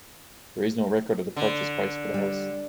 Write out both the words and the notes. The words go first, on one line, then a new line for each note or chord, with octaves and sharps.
There is no record of the purchase price for the house.
D3
G3